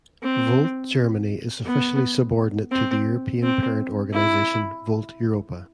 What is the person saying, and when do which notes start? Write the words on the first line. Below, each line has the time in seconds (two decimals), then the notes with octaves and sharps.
Volt Germany is officially subordinate to the European parent organisation Volt Europa.
0.23 C4
1.65 B3
2.71 C4
3.42 C4
4.13 E4